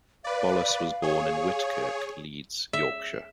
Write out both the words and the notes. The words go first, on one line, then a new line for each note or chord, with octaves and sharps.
Bolus was born in Whitkirk, Leeds, Yorkshire.
B4 D5 F5
G#4 C#5
E5